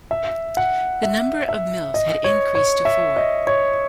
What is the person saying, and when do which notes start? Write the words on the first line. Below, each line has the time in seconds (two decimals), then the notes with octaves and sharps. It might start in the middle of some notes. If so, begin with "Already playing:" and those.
The number of mills had increased to four.
0.11 E5
0.57 F#5
1.03 E5
1.49 E5
1.94 D#5
2.24 C#5
2.55 C#5
2.85 E5
3.17 D#5
3.47 C#5